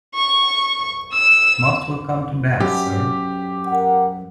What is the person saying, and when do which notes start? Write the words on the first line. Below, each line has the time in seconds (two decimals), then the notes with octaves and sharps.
Most welcome to Bath, sir.
0.15 C#6
1.13 E6
2.60 F#2 G4
3.66 A#4 F#5